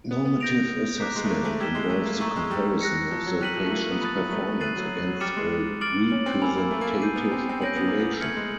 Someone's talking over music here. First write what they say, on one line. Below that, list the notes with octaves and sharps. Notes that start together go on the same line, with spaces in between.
Normative assessment, involves the comparison of the patient's performance against a representative population.
B3
B3
G6 A#6 D7 F7
A#3 A#5 D6 F#6 B6
G#3
A3
A#3
A3
G3 E6 G#6 B6 E7 G7
G#3
A3
A#3
A3 A#5 C#6 E6
G#3
G3
F#6 A#6 C#7
F3
F#3
G3 F#6 B6 D#7 F#7
F3
A3
A#3
A#3
B3
F3 B5 D#6 F#6 A6
F#3
A3
A3 F#6 A6 C7 D#7 F#7
F#3
F#3
G3 D6 F6 A6 C#7 E7
G#3
D6 F6 A6 D7 F#7
C#4
C4
A#3 G#5 B5 E6
A#3
A3
A#3
A3
G6 C7 D#7
B3
C4
C4
C#4 G6 A#6 D7 F#7
B3
A#3
B3
A3 F6 G#6 C#7 F#7
G#3